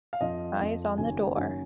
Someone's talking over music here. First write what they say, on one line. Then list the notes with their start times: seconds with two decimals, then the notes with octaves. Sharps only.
Eyes on the door.
0.13 F5
0.20 F2 F3 D#5
0.60 F2 F3
0.98 F#1 F#2 D#3 F#3 G#5
1.36 F#1 F#2 D#3 F#3 G#5